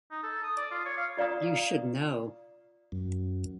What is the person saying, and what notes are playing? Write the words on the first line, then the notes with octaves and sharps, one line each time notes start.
You should know.
D#4
A4
D#6
D5
F4
C#5
F5
F4 D5 F5 A#5 D#6
F#2